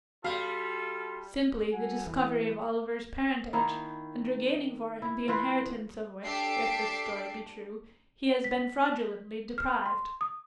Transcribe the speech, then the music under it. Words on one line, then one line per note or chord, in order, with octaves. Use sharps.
'Simply, the discovery of Oliver's parentage, and regaining for him the inheritance of which, if this story be true, he has been fraudulently deprived.'
G3 F4 F#4 A4 F5
G3 F#4 A4 F#5 G#5
E3 E4
D#3 A#3 D#4 E4
E4
E3 E4 F4 B4
D4 G4 A4 E5 C7 D7
B6
F6
C6
D#6